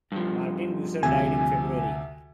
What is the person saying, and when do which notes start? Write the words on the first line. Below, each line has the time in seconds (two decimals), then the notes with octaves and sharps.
Martin Bucer died in February.
0.12 G2 F3
1.03 D2 C3 G#5